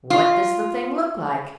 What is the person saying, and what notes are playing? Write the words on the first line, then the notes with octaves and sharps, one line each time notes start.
"What does the thing look like?"
F4